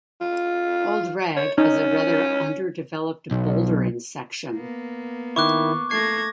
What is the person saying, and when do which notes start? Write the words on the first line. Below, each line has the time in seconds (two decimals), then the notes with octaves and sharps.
Old Rag has a rather underdeveloped bouldering section.
0.21 F4
1.36 C#5
1.58 C#4 D#4
3.31 B1
4.54 A#3 B3
5.36 D#3 E4 C#6 D6 F#6
5.91 A3 A#3 G#6 A#6 C7